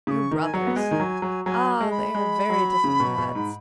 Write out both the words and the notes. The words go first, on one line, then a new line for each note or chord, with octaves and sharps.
Your brothers! Ah! they are very different lads!'
C#3 C#6 D#6
D#3
G#5
F#3 F#5
B3
G#3 G#5
D#3
F#3
F#3
F#3 G#5
G#3
B5
G#3
F#3
C#3
B2
B2
G#2